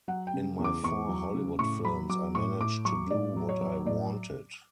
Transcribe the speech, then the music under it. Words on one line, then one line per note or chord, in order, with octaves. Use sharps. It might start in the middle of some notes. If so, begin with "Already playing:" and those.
In my four Hollywood films I managed to do what I wanted.
F#3 F#5
G5
C#3
E2
D6
E2 C#6
F#3
C#3
A2 C#6
F#3 B5
F#3 D6
A2 C#6
A2 D6
F#3 C#6
A2 D5
F#3
C#5
F#3
A2 D5